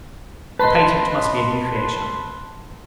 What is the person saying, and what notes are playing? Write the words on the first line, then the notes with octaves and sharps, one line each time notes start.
The patent must be a new creation.
B4 D#5 A5 B5 C6